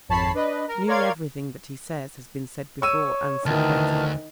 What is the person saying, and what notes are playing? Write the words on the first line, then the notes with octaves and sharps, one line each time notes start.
Nearly everything that he says has been said before and said better.
G#1 F2 C#5 A5 B5 C7
D4 B4 D#5
A#4
A#4 C#5 D5 F5 C6 G#6
C#5 C#6 E6 D#7
D2 D#3 E3 A5 F6